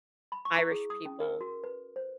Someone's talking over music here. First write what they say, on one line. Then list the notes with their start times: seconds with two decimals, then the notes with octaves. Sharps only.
Irish people.
0.32 B5
0.45 C#6
0.58 E4
0.72 G#4
0.90 D#6
1.05 C#4
1.20 A#4
1.41 F#4
1.64 B4
1.96 C5